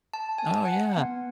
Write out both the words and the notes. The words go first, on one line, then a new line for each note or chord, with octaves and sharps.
Oh, yeah.
A5
G#5
F#5
B3